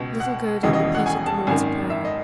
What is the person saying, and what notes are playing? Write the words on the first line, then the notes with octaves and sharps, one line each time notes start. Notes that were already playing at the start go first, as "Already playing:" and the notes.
Little Gerda repeated the Lord's Prayer.
Already playing: C#2 B2
F#5
E1 D#2 C#3 E3 D#5
D#5
F#5
G#5
A5
G#1 F#2 D#3 G#5
E5
D#5